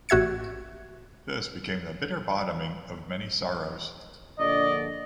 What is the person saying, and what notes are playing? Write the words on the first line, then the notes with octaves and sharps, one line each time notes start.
This became the bitter bottoming of many sorrows.
A1 F#4 E5 G#6 C#7
A#1 D3 D5 D#5